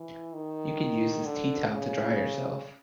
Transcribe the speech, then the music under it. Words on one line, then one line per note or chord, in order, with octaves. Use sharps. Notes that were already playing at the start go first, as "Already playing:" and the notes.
You can use this teatowel to dry yourself.
Already playing: E3
D#3
D3
C#3